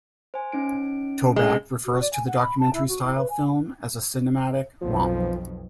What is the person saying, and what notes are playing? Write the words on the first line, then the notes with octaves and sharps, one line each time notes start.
Toback refers to the documentary style film as a cinematic romp.
C5 G#5
C#4 D#4 D7
G#3
F#4
D5
G#5
F#5
B5
A5
E4
F#4
E4
B4
G#5
B1 F2 F3